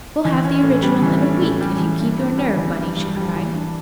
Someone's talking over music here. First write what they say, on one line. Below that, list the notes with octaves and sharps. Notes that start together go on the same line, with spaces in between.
"We'll have the original in a week if you keep your nerve, Bunny," she cried.
E3
C#4
A2
G3
E3
C#4
A2
G3
E3
G2
G2
G3
E3
G2
G2
G3
E3
D4